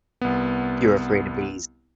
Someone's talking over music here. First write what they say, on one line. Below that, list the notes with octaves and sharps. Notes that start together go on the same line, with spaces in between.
You're afraid of bees.
C2 B3